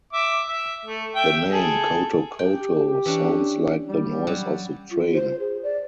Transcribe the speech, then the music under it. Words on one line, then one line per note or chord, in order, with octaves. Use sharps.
The name "Coto Coto" sounds like the noise of the train.
E5 D6
E5
A3
E5 G5
G#4 A4
G4 G5
E3 C#4 D4
G3
F#3
F4
C5
G#4
D5